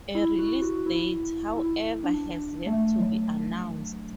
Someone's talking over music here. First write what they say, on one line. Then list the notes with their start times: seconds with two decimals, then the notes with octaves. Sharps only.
A release date, however, has yet to be announced.
0.15 E4
0.39 F#4
0.62 F#4
0.86 E4
1.57 E4
2.04 D4
2.67 A3
2.99 F#3